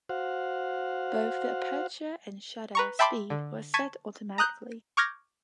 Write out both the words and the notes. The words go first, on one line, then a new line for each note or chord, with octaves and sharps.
Both the aperture and shutter speed were set automatically.
F#4 C5 F5 F#5
B4 A#5 C#6
E5 G5 A5 B5 C6 D6
D3
A5 C#6 G#6 B6 D#7 E7
A#5 D#6 F#6 G6
C#6 D6 F6 G6 G#6 A#6